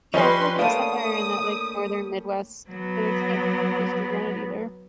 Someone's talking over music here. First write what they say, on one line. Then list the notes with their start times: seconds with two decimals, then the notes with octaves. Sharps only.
Yeah, I feel like it's somewhere in that, like, Northern Midwest, but I can't put my finger on it either.
0.14 F3 G3 C#4 B4 C#5 D#5 C6
0.59 A3 A#3 D4 F5 D#6
2.70 F#3 B3